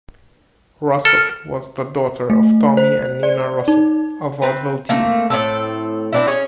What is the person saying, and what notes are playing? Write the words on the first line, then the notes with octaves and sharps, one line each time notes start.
Russell was the daughter of Tommy and Nina Russell, a vaudeville team.
A4 F6
A3
C5
D5
D#4
C4 B4
A3 A#3 C4
A2 C4 A4
C4 D4 E4
C#4 G#4 C#5